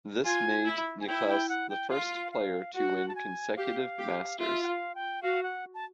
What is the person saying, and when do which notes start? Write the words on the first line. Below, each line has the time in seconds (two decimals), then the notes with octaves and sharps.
This made Nicklaus the first player to win consecutive Masters.
0.24 F4 G#5
0.66 E4
1.01 G#5
1.07 E4 G5
1.28 G5
1.49 F#5
1.69 G5
1.90 F4 F5
2.32 F5
2.74 F#4 F#5
3.08 A5
3.15 G#5
3.56 G4 F5
3.98 G4
4.39 F4 E5
4.63 F#5
4.67 F5
4.95 G5
5.22 F#4 F5
5.43 F#5
5.74 A5